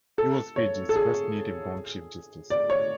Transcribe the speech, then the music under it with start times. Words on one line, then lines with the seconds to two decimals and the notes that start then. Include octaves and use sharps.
He was Fiji's first native-born Chief Justice.
0.18 A4
0.56 C#5
0.89 A4
0.96 G#4
2.50 D5
2.70 C#5